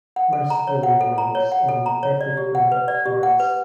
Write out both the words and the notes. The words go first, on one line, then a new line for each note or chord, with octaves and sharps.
Rust sporulates on affected plant parts.
F#5
A4
A#5
C#5
F#5
A4
A#5
C#5
F#5
A4
A#5
C#5
D5
G4
F#5
B4
D5
G4
F#5
B4